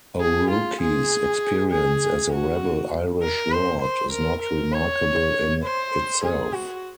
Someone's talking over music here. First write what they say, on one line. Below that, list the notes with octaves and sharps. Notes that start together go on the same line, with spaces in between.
O'Rourke's experience as a rebel Irish lord is not remarkable in itself.
G#4
F4
G#4
G#4
F#4
A#4
C5
C5
A#4
A#4
C#5
C5
G#4
F#4